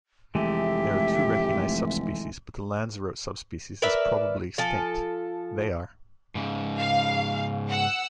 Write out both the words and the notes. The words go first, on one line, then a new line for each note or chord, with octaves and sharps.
There are two recognised subspecies but the Lanzarote subspecies is probably extinct; they are.
F1 E3 G#3 A3 G4 E5
A#4 B4 D5 E5
F3 A4 G#5
G#2 C#3
F5
F#5 E6